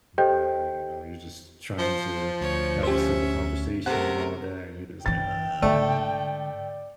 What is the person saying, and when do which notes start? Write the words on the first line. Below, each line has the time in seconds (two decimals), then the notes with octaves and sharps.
Yeah, you know, you're just trying to have a simple conversation and all that, and you're just like, "Uh"
0.18 G4 A4 C5 D#5 G5 G6
1.78 F3 C5
2.41 D2 C#5
2.83 C#4 G4 C5 E5
3.86 C3 A3 A#4 F#5
5.06 G2 E3 G5 A6
5.62 G#2 D3 A3 D5